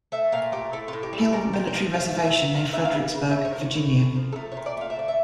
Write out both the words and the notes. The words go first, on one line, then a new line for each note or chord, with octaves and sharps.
Hill Military Reservation near Fredericksburg, Virginia.
A3 E5
A#2 F5
A3 G4
A2 A4
F4
A2
G4
G3 A4
A#2 A#4
A#2 G5
G5
F3 F5
A3 F5
A#2
E5
A3
A#2 F5
A#2 E5
F5
G3
C#3
E5
C#3
C#5
A#4
F3
C#5
A2 C#5
A2
F3
A4
A3 A#4
C#5
A#2
D5
A3 F5
E5
D3 D5
E5